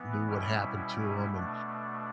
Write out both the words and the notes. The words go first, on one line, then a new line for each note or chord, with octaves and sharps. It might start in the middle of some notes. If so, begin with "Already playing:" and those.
knew what happened to him, and,
Already playing: E3 B3
B2 G3 C#4 E4
B2 A3 D4